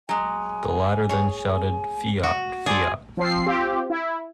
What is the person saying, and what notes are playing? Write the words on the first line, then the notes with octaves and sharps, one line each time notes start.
The latter then shouted, "Fiat", "fiat"!
F#3 G#3 G#5
G#4 C#5
F#4
G#4 A4 C5 D5
F3 C4 C7
C4 F4 G4
E4